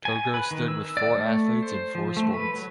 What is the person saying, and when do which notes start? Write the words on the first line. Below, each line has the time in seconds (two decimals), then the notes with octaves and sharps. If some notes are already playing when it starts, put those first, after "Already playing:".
Togo stood with four athletes in four sports.
0.05 G#5
0.34 B4
0.51 D#3
0.68 E6
0.97 D5
1.13 A3
1.62 C5
1.95 F3
2.17 A3
2.34 B4
2.56 F#3